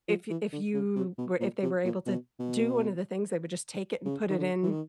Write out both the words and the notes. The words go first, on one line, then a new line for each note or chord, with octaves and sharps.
if y if you were if they were able to do one of the things, would just take it and put it in
F3
E3
D3
C#3
C3
B2
A#2
C3
A#2
B2
B2
C#3
D#3
D3
E3
D#3